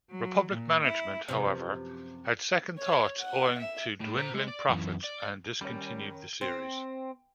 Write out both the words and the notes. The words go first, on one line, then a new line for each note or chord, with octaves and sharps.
Republic management, however, had second thoughts owing to dwindling profits, and discontinued the series.
F#3
A#2
E4
F#2 C3 F3 B4
C#5
F#5
E5
A2
C5 A#5
G#3 G#4
D5
F#2 E3
D5
D#3 G3 C#4 C#5 B5
C4